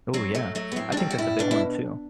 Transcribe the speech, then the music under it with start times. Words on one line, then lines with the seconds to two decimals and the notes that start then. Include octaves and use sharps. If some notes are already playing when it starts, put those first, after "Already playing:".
Ooh yeah. I think that's a big one too,
0.14 F#3 C4
0.35 F#3 A3
0.55 F#3 A3
0.72 B3
0.76 A2 C4
0.92 D4
0.97 G3 C4
1.11 F#4
1.18 A2 E4
1.39 B2 D4
1.51 E4